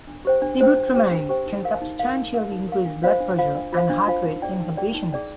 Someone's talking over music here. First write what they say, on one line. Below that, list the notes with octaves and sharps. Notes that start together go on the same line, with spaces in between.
Sibutramine can substantially increase blood pressure and heart rate in some patients.
D4
G4 C5 G5
D4
G4 C5 G5
D4
G4 C5 G5
D4
G4 C5 G5
D#4
A#4 F5
D#4
A#4 F5
D#4
A#4 F5
D#4
A#4 F5
D4
F4 C5 F5
D4
F4 C5 F5
D4
F4 C5 F5
D4
F4 C5 F5
D#4
G#4 D5 G5
D#4
G#4 D5 G5
D#4
G#4 D5 G5